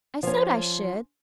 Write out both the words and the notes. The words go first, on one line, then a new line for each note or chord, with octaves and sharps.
I said I should.
F3 C#4